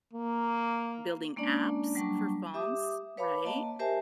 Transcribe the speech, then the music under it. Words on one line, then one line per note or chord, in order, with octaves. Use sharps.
building apps for phones, right?
A#3
G#3 A#3 C#4 D4 D5 A5
F#3 G3 A#3 D4 A5 C#6
G4 E5 D6 D#6
B4 C#5 F5 A5 B5 D6
A#3 D#5 A5
G4 A#4 C5 E5 G#5 A5